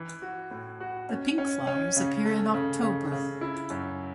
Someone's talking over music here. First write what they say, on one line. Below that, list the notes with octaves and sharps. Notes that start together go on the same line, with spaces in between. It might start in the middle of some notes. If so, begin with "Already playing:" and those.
The pink flowers appear in October.
Already playing: E3
F#4
A2
F#4
C#4
C#4
C#4
C#3
A3
C#3
C#3
C#3
E4
F#2